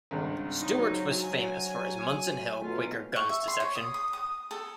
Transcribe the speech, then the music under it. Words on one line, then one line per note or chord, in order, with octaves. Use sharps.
Stuart's was famous for his Munson Hill Quaker Gun's deception.
G#1 C#2 G2
F#3 D#4
G#5
B2 F#3 A3 F4
C#6
E5
C6
C#5
D#6
D#6
D#6
A4